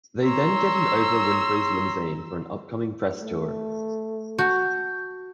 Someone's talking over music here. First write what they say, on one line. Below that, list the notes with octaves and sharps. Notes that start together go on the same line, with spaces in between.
They then get in Oprah Winfrey's limousine for an upcoming press tour.
C#5 A#5 C6 E6
A3
F#4 A5 G6